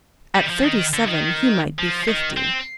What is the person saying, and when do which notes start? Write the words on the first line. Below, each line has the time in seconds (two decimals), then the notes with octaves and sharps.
At thirty-seven he might be fifty.
0.35 G3
0.43 D#3
0.50 F3
0.64 D#3
0.93 D3
1.08 D#3
1.79 F3
2.08 D#3
2.37 C4